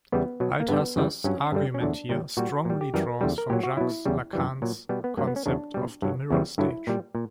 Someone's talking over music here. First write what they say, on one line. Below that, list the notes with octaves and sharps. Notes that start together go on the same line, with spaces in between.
Althusser's argument here strongly draws from Jacques Lacan's concept of the mirror stage.
E2 C#3 E3 G3 B3
B2 F#3
A#3
G2 D3 G3 B3
F#2 C#3 E3 G3
G2 F#3 C#4
G2 D3 G3
C#4
E2 D3 F#3 D4
A#2 G3
A#2 G3 F#4
A#2 G3
G4
F#2 E3 G3 A#4
E2 D3 G3
A#4
A#2 F#3 G4
F#4
B2 F#3 E4
E2 C#3 G3
F#2 E3 G3
A#2 F#3
B2 G3 B3
B3
G2 F#3 A#3
B3
C#4
E2 C#3 F#3 D4
B2 G3
G2 F#3
E2 C#3 E3 G3
G2 D3 F#3 E4
A#2 G3
A#2